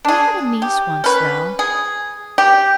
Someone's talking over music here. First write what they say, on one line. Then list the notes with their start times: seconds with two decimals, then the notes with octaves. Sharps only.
They had a niece once, though.
0.05 D4 G#4
0.62 G4
1.04 C#4 B4
1.59 G#4
2.38 G4